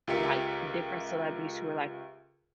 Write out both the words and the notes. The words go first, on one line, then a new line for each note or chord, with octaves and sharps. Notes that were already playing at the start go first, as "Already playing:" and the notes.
like different celebrities who were, like,
C#2 F4 G4 A#4 E5 C#7